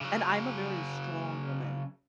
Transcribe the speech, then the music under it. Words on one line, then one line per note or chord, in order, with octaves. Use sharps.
And I'm a very strong woman
C#3 F#3